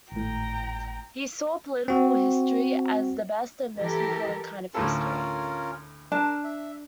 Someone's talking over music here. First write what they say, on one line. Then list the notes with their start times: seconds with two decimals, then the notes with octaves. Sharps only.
He saw political history as the best and most important kind of history.
0.12 G#1 A2 G5 A#5
1.88 C4 F#4
3.78 E3 G4 A4 A#4
4.74 D2 A2 C#4 F4 A4 A#4
6.12 D4 A#4 A5
6.44 E5